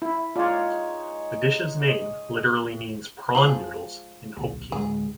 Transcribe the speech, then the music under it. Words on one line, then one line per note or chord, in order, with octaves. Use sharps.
The dish's name literally means "prawn noodles" in Hokkien.
E4
G#3 D#4 F4 C#5 D5
D#5
F3 G#3 G#4
D1 B1
D2 A2 G#3 G#4